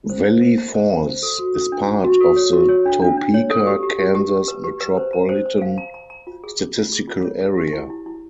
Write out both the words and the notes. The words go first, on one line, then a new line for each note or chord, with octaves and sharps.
Valley Falls is part of the Topeka, Kansas Metropolitan Statistical Area.
C5
C5
C5
A#5
C5
A#5
C5
A4
F#4
A4
D4
D4
F#4
A4
C#5
F#4
C#5
D4
D4
D4
C#5
A4
G4
G4
G4
G4
G4
B4
G4
B4
C5
A#5
C5
C5
F5
A#5
A#5
A#5
F4
G#4
G#4
F4
G#4
F4
C#5
G#4
G4
E4
E4
E4